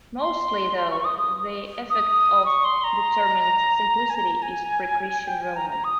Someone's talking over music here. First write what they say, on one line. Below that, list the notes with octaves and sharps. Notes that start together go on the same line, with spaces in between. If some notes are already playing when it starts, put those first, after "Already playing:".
Mostly, though, the effect of the determined simplicity is pre-Christian Roman.
C6
C6
C#6
C#6
D#6
D#6
D#6
C#6
C6
A#5
G#5
A#5
G#5
G5
G#5
A#5
A#5
D#6